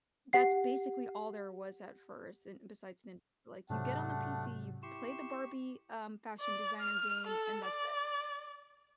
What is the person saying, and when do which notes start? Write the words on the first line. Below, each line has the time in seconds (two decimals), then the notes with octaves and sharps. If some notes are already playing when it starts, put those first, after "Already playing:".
that's basically all there was at first. And besides Nintendo, like, you get on the PC, you play the Barbie, um, Fashion Designer game, and that's
0.33 G4 F#5 C7
3.70 G#2 C3 F#3 A3 D4 F#5
4.83 E4 G4 C6 C#6 E7
6.41 D5
6.81 F6
7.27 A4
7.65 D5